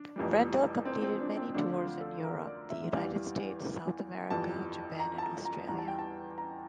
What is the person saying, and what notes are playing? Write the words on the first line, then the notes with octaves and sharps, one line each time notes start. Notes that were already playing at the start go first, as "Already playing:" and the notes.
Brendel completed many tours in Europe, the United States, South America, Japan and Australia.
Already playing: D4
F1 F2 E3 G3
C4
C4
D4
C4
D2 D3 F3 D4
F4
A4
A#4
D5
E5
E2 E3 G3 F5
G1 F2 E3 G3 A5
A#5
A5
A#5
A#5
E2 E3 G3 A#5
A5
G5
A5
A#5